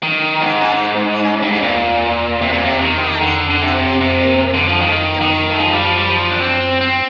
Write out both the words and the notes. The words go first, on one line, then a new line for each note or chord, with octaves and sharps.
It stars Ruth Chatterton, Fredric March, Gilbert Emery and Doris Lloyd.
D#3
G#2
G2
G#2
A#2
C3
A#2
C3
D#3
D3
D3
C3
C3
D3
F3
D#3
D#3
F3
G3
F3
G3
F3
D4
C4
C4